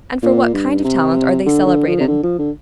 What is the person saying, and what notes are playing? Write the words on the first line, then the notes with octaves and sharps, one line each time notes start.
And for what kind of talent are they celebrated?
A#2
G2
C3
D3
D3
F3
C3
D3
F3
D3